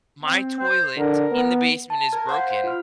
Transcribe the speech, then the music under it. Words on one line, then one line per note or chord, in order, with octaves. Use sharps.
my toilet in the basement is broken,
C4
C5
D3 A#4
B3
A5
A#4 G#6
C5 F5 F#5 C6
F4 F6